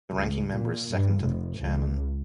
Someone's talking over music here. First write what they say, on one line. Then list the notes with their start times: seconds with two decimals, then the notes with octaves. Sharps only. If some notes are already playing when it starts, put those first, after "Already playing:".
The ranking member is second to the chairman.
0.13 C#2
0.54 A#2
0.92 G2
1.21 F1
1.59 C#2